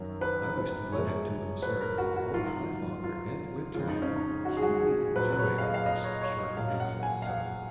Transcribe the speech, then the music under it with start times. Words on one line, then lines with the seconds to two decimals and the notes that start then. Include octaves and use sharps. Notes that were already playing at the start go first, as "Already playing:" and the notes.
I was delighted to observe that both my father and Winter keenly enjoyed this short cruise outside.
Already playing: F#2 D#3 F#3 A#4
0.21 B4
0.58 B4
0.92 F#2 C#3 F3 G#3 C#5
1.62 B4
1.81 A#4
1.98 F#4
2.16 F#4
2.34 G#2 F#3 F4
3.04 F4
3.74 F2 C#3 G#3 F4
3.88 D#4
4.02 C#4
4.16 D#4
4.45 F#4
4.57 G#4
4.62 F#4
4.80 G#4
5.16 A#2 F#3 B4
5.33 B4
5.39 C#5
5.58 F5
5.63 D#5
5.74 F5
5.86 D#5
6.04 C#5
6.22 C#5
6.39 D#5
6.57 A#2 F#3 F5
6.80 F#5
7.03 G#5
7.22 F5
7.27 F#5